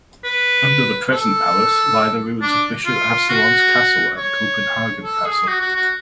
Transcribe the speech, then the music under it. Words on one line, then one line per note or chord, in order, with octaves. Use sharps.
Under the present palace lie the ruins of Bishop Absalon's Castle and Copenhagen Castle.
B4
A4
D4
F4
F#4
C#5
A4
G#4
F#4
F#4
F#4